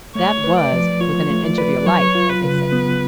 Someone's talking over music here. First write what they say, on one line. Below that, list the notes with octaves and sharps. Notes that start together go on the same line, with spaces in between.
That was 'within an inch of your life,' as they say.
A3 C#5
B4
D5
F3
F4 C#5
A3
D5
B4
F#3 C#5
F4
B4
C#3
B3